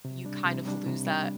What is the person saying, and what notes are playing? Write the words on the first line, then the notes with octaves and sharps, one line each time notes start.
you kind of lose that
C3
G3 D4
C3
G3 D4
C3
G3
D4